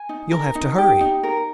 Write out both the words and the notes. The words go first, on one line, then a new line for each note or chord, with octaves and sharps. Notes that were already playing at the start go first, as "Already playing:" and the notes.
"You'll have to hurry."
Already playing: G#5
D#4
A#4
D#4
G4
D#4
A#4